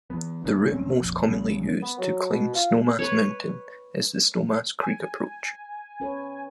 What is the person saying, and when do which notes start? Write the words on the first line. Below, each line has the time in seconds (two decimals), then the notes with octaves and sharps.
The route most commonly used to climb Snowmass Mountain is the Snowmass Creek approach.
0.10 E3 B3
0.44 G1 A#3 B3 D4
0.70 D1 C4 C#4
1.00 F1 A#1
1.28 A#1 C#3 G3 B3
1.82 B3
1.98 F#3
2.29 B2
2.55 F4
2.99 B4 C#5
4.82 G#5
6.00 C#4 B4 C#5